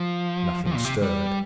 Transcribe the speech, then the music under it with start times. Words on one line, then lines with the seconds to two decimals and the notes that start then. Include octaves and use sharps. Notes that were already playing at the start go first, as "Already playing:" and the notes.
Nothing stirred.
Already playing: F3
0.66 F3
0.75 A#2
0.85 C3
1.02 G3